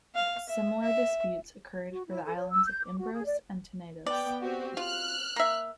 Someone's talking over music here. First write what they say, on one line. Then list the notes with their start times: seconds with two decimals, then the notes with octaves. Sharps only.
Similar disputes occurred for the islands of Imbros and Tenedos.
0.15 F5
0.49 E5
0.82 E5
1.92 F#4
2.09 E4
2.25 A4
2.36 C#5
2.51 E6
2.67 G6
2.85 D6
2.98 F#4
3.13 G#4
3.25 D5
4.06 B3 D5 G5
4.40 C4 F#4 G4
4.77 F4 F6 F#6
5.36 A#3 E5